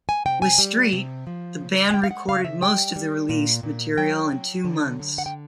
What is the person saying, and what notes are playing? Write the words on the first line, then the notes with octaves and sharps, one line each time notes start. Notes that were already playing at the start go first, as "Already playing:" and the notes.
With Street, the band recorded most of the released material in two months.
G#5
C3 G5
G#5
G3
C3
F3
C#3
G#5
G#3 G5
F5
F#5
C#3 F5
E5
G3 G5
G3
A#2
A#2
F#3 G5
F#3
D3
D3
F#5
G5